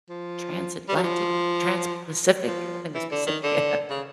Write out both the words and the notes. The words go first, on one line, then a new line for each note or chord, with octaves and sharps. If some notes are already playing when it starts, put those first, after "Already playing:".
transatlantic transpacific? I think it was Pacific? Yeah,
F3
G3
F#3
F3
F3
E3
D3
D#3
D3
C#3